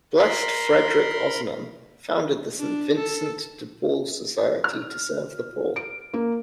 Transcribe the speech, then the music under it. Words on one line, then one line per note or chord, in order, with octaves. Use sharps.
Blessed Frederic Ozanam founded the St. Vincent de Paul Society to serve the poor.
A#4 B5 C6
D4
A4
F6
D7
A#3